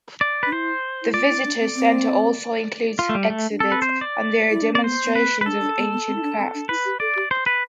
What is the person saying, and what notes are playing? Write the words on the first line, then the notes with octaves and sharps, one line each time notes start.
The visitor centre also includes exhibits, and there are demonstrations of ancient crafts.
D5
D4 B4
E4 C5
E4
F4 D5
E4
D4
C4
C4
F4
A3
G3
A3
D4
C4 A4
B4
C5
D5
E4
D4
C4 D5
B3 C5
B3
C4 B4
B4
D4 A4
D4
B3
B3
C4
E4
D4
C4
D4
E4 B4
G4
A4 D5
G4
C5
B4